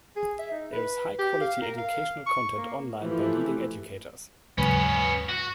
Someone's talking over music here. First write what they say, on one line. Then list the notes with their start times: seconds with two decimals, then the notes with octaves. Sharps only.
There is high-quality educational content online by leading educators.
0.16 G#4
0.39 E5
0.51 D#4
0.72 B4
1.19 G4
1.41 F5
1.62 A#4
1.77 F5
2.26 C#6
2.58 A#3
3.03 E3 F3 A3 E4 G4 A4
4.58 D#2 G#2 C#3 F#3 B3 C#4 B4
5.29 F#4